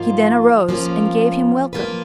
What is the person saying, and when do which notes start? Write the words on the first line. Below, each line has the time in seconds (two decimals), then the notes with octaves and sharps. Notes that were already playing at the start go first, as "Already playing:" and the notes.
He then arose, and gave him welcome.
Already playing: G#2 F3 A#3 F4
0.69 F3 A#3 C#4
1.73 F3 A#3 F4 B4